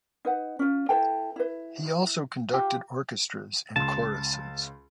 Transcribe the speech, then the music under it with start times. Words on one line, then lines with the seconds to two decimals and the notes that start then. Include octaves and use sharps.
He also conducted orchestras and choruses.
0.25 D#4 B4 F#5
0.59 C#4 F4
0.89 E4 A4 B4 G5
1.36 E4 B4
2.53 F4 G4
3.76 C#2 A5 C6